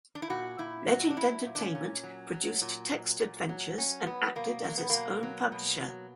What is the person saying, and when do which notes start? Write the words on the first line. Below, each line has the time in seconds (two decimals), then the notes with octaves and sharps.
Legend Entertainment produced text adventures and acted as its own publisher.
0.15 D4
0.22 E4
0.30 A#2 F#4
0.58 A#2 E4
0.87 F#3 F#4
1.10 D4
1.17 F#3 E4
1.46 A#2
1.55 D4
1.60 C#4
1.75 A#2
2.03 F#3
2.33 F#3
2.62 A#2
2.91 F#3
3.20 A#2
3.49 F#3
3.78 F#3 C#4
4.06 F#3 B3
4.35 B2 A#3
4.65 F#3 A#3
4.78 B3
4.90 B2 A#3
5.23 F#3
5.52 B2
5.81 F#3